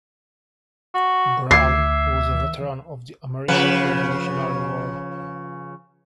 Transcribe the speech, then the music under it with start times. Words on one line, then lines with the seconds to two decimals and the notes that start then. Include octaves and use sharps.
Brown was a veteran of the American Revolutionary War.
0.95 F#4
1.51 D2 E5 D6 G#6 C7
3.48 C#3 F3 B4